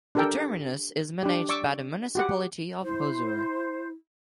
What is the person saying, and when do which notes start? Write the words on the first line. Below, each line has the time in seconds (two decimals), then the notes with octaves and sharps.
The terminus is managed by the municipality of Hosur.
0.15 D4 G4 A4 A#4 G5
1.23 D4 G4
1.49 D5 C#6 D6 E6
2.15 F#4 G4 F#5
2.83 E4 C5